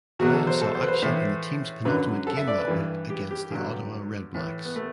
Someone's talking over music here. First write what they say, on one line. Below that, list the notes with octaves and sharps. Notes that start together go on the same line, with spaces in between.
Glenn saw action in the team’s penultimate game that week against the Ottawa Redblacks.
E2 B2 F#3 F#4
A4
C5
A4
C5
B4
C5
A2 E3 C5
F#2 D3 F#3 B4
A4
E5
D5
B4
G2 E3
G4
G4
G2 D3 F#3 G4
A2 E3
B3
A3